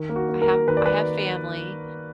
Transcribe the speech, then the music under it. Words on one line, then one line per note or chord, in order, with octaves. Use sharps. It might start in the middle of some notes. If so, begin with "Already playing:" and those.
I have I have family,
Already playing: D#3
A#3
F#4
A#3
A#4
A#3
D#3 B4
D5
A#3 B4